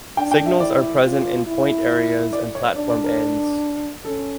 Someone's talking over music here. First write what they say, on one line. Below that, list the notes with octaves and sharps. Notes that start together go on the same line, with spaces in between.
Signals are present in point areas and platform ends.
D4 G5
G5
E5
E4 D5
F4
E4
D5
C#5
D4 D5
D5
A#4
C#4 A4